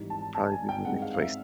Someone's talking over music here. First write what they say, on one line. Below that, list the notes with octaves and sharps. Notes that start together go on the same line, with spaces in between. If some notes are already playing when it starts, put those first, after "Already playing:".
Probably be my next place.
Already playing: G#1 G#2 E3 G3
A5
A5
G#5
G5
G2 D#3 G#3 C4 F#5
F5
F5
E5